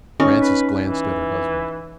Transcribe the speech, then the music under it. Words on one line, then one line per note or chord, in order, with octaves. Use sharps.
Francis glanced at her husband.
C#4 D#4
B4
E3